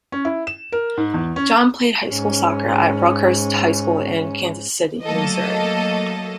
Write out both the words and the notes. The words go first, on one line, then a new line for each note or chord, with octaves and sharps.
John played high school soccer at Rockhurst High School in Kansas City, Missouri.
C#4
E4
E7
A#4
G#2
E2
C#4
G#2 C#4
F#3 A3 A#3 A4 D#5